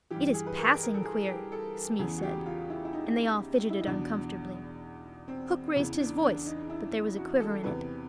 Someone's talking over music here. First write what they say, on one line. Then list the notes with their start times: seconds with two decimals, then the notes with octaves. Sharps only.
"It is passing queer," Smee said, and they all fidgeted uncomfortably. Hook raised his voice, but there was a quiver in it.
0.11 G2 E3 G4
0.34 G#4
0.46 B4
0.58 A#4
0.83 A#4
0.94 A4
1.05 G#4
1.28 G4
1.52 A4
1.99 E2 C#3 E3 G#4
2.18 F#4
2.23 G4
2.46 F4
2.70 E4
2.85 E4
2.93 D#4
3.70 E4
3.79 D#4
3.87 E2 B2 D4
5.28 C4
5.76 E2 C#3 E3
5.99 D4
6.23 D4
6.46 D#4
6.70 E4
7.17 F#4
7.40 A4
7.64 E2 C3 E3 B4